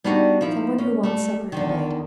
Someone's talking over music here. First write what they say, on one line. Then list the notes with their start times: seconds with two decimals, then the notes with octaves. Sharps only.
"Some one who wants supper and bed."
0.04 G3 B3 D4 D#4 F#4 G4
0.41 F3 D#4 E4
0.78 C#4
1.03 G3 A3
1.52 E2 D3 D#3